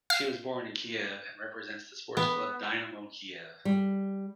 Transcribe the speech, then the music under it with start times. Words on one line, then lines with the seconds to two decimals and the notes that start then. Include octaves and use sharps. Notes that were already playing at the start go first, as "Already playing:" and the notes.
She was born in Kiev, and represents the sports club Dynamo Kiev.
0.10 F5
2.17 B3
3.65 G3